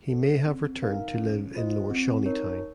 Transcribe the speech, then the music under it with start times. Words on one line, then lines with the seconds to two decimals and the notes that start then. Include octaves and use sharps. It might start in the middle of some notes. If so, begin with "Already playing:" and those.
He may have returned to live in Lower Shawneetown.
0.10 A4 C5
0.46 C4
0.82 D#4 A#4 F5
1.18 C#4
1.54 F4 C5 D#5
1.90 C4
2.26 D#4 A#4 C#5